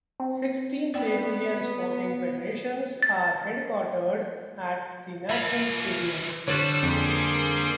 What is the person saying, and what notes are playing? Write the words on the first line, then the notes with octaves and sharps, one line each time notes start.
Sixteen Peruvian sporting federations are headquartered at the national stadium.
C4
B3 D5 G5
A6
E3 F4 E5 B5
D3 G3 C5 C#5 E6 F#6 A6
F2 A#3 G#4 C6